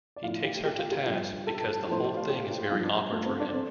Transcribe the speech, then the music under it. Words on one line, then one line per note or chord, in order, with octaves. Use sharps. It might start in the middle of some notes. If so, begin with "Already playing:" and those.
He takes her to task because the whole thing is very awkward for him.
D5
A2 F3 F4 F5
G4 G5
G4 G5
F4 F5
G4 G5
G2 F3
A4 A5
A2 F3 C5
D5
F5
G4 G5
F4 F5
G2 F3 F4 F5
D4
F4
A3 A4
C4 C5
D4 D5
C4 C5